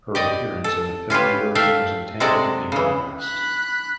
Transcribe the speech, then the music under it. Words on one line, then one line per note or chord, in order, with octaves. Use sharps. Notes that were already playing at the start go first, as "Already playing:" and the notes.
Her appearance in the film version was intended to be her last.
G4 D5 D#5
A4
C#4 F4 G4 B4
A3 E5 F5 G5
C3 G#3 F#4 A4 D5 F#5
C#3 E3
B5 F#6